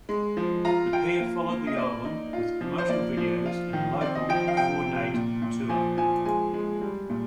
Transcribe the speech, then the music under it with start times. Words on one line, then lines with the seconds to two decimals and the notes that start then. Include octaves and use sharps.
The pair followed the album with promotional videos and a local four-date tour.
0.09 G#3
0.37 F3
0.65 F4 A#5
0.93 F4 G5
1.20 A#3
1.49 A#3
1.67 D#5
1.76 A#3 D5
2.05 D#4
2.33 F4
2.61 F3
2.78 C5
2.89 A#3 D5
3.17 F3
3.46 F4
3.73 D#3
4.01 C4 D5
4.15 D#5
4.29 F3 G5
4.48 F5
4.57 C3 G5
4.85 C3
5.14 A#2
5.42 A#2
5.69 F3 G#5
5.97 F3 G#5
6.25 G#3 G#5
6.54 G#3
6.81 G3
7.10 A#2